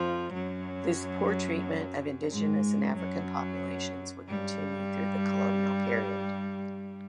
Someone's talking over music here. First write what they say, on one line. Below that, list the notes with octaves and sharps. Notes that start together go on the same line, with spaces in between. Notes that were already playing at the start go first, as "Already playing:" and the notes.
This poor treatment of indigenous and African populations would continue though the colonial period.
Already playing: F2 F3
F#2 F#3
G#2 G#3
F#2 F#3
G2 G3